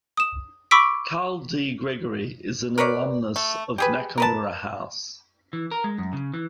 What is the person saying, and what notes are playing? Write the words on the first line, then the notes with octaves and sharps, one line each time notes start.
Karl D. Gregory is an alumnus of Nakamura House.
D#6 E7
B5 C#6 D6 E6 B6 D7
A#4 B4 C#5 D5
A3
G4 G#4 B4
A#4 B4 A5
E3
A#4
G#3
F#2
C#3
E3